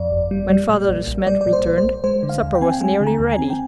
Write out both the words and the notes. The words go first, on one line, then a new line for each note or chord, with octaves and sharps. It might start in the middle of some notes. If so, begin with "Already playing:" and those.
When Father De Smet returned, supper was nearly ready.
Already playing: F2 D5
G1
G3
G3
A#2
A#1
A#1
G3 D5
D5
A#2
C5
A#1
C5
A#1
G#3 C5
D3
F5
D#2
G5
C4 G#5
G5
G#3 G#5
D3
A#5
D#2
G#5
C4
G5